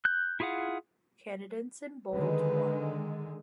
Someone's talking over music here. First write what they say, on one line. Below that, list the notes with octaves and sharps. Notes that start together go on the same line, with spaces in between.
Candidates in bold won.
F#6 G6
E4 F4 G#4 F5 F#5
D3 D#3 G#3 B4